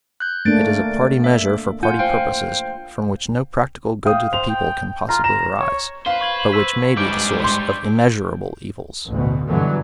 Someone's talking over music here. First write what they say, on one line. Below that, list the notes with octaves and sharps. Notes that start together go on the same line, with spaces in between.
It is a party measure for party purposes from which no practical good to the people can possibly arise, but which may be the source of immeasurable evils.
F#6 G6
A3 A#3 D4 A6 D7
E5
F4 F#5 G#5 G6
C5 F5 G5
F5 G5 D#6
C5 F7
G5
F4 A#5
A#5 E7
C#5
B4 C5 F5
C#6 G#6 F#7
E6 B6
G#2 G3 D4 B4 D6 G6 D7
C6 G6
A1 D2 B2
G2 B2 D3 E3 F#3